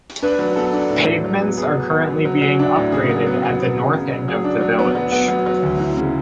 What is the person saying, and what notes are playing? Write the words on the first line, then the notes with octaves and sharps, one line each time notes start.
Pavements are currently being upgraded at the north end of the village.
D4 B4
F#3
B3 A4
D4
A2
F#3
F#3
B3
B3 G#4
F#3
B3
F#3
F#3
F#3
D4
A2
C#3 G#4
F#3
B3
F#3
B3
C#3
C#3
F#3
F#3 G#4
D4
F#3
B3
F#3
B3
F#3
F#3
D2
E3
C#3